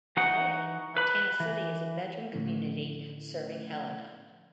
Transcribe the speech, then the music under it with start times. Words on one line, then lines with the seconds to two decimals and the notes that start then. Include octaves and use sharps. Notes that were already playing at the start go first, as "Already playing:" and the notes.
Today, Montana City is a bedroom community serving Helena.
0.17 E3 D#4 F#4 F#5
0.97 B4 B5
1.40 E3
2.33 A2 D3 F3 A3 C#4 E4